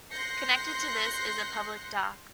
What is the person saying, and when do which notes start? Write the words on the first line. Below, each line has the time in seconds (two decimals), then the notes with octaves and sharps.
Connected to this is a public dock.
0.11 C6 F#6 G6 A#6 C7 C#7